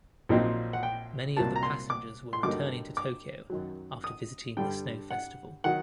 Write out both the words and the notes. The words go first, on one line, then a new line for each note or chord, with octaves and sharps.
Many of the passengers were returning to Tokyo after visiting the snow festival.
A#1 A#2 F#3 C4 D#4
F#5
G5
C2 A#2 F#3 A#3 A5
A#5
C6
D6
C6
G2 D3 F#3 A#3 D#4 D6
D6
F#2 D#3 F#3
D#6
G2 D3 G3 D4 G5
F#5
D#3 F#3 F#5